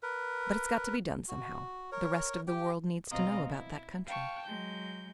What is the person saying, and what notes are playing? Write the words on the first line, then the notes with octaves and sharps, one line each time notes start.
But it's got to be done somehow; the rest of the world needs to know about that country.
A#4 B4
F#4
A#4 C#5
G4 G5
B2 C4 D#5 F5 A#5
E4
F5 G5 A5 C#6
F#3 G#3 G6